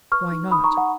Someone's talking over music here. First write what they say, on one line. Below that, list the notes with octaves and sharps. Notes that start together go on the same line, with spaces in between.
"Why not?"
B4 C#6 F6
D#4
D#4 B5 D#6
A#5 C#6
D#4
F#5 A#5